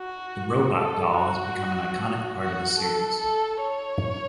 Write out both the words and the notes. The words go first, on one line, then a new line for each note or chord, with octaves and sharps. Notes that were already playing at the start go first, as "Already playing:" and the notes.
The robot doll has become an iconic part of the series.
Already playing: F#4
A4
F#4
F#4
A4
A4
C#5